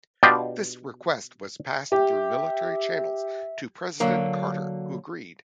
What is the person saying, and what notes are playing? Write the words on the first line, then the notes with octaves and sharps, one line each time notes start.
This request was passed through military channels to President Carter, who agreed.
B2 D4 F4 G4 D#5 G5
G4 E5
D3 F#3 A#3